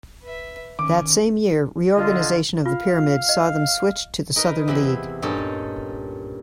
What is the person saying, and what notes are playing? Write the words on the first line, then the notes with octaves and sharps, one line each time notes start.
That same year re-organisation of the pyramid saw them switched to the Southern League.
B4 E5
D#3 C#4 D6
D3 F4 D#5
F4 F5
D#5
D#4 A#4 B4 D#5
E2 C3 E4 B5
G2 A#2 C#4 D#4 A4